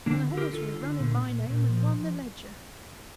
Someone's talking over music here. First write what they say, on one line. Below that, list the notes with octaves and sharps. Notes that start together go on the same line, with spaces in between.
And the horse would have run in my name and won the Leger!
D3 A#3 D4
D3
G4 A#4
D3 F4 A4
D3
A#2
A#2
A#2
F3